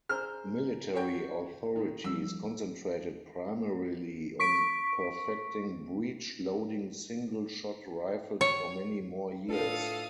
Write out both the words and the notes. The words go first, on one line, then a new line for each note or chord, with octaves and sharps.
Military authorities concentrated primarily on perfecting breech-loading single shot rifles for many more years.
G#4 C5 A#5 F6
F#4 C#5 G5
D#3
F3 G3 E6
C#6 B6 D7
C#5
A2 D4 F4 A4 B4 F5 D#6